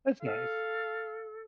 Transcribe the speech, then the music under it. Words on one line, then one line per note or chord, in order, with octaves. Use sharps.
That's nice.
A4 F5